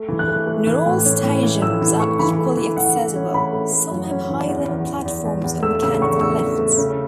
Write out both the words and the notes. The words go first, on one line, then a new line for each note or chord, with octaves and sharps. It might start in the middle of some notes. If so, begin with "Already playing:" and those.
Not all stations are equally accessible; some have high-level platforms or mechanical lifts.
Already playing: A3
E3
F#6
A3
A3
E3
A2
C#4
A2
E3
A3 E6
E3
A3 C#6
E3 B5
A3
E3
E3 F#5
E3
C#4
A3 B5
A3
A3
F#2
C#4
E3
E2
E2
E2
E2
E2
E2
A3 E6
C#3 E6
E2 C#6
E2 E6
A3
A3
C#3